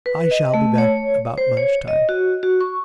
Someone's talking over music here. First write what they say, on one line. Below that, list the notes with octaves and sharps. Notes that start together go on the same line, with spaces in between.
I shall be back about lunch time.'
B4
D#5
A3
C#5
C5
C#5
D#5
F#4
F#4
C#6